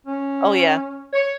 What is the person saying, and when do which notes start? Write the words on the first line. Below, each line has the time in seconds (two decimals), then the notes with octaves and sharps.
Oh, yeah.
0.06 C#4
1.13 C#5